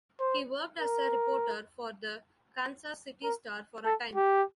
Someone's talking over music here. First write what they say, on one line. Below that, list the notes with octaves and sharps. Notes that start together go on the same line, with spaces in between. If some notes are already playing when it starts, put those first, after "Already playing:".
He worked as a reporter for the "Kansas City Star" for a time.
C5
A#4
A#4
A4
G4